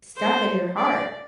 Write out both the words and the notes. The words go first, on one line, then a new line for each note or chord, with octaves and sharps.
stuff in your heart.
C5
D5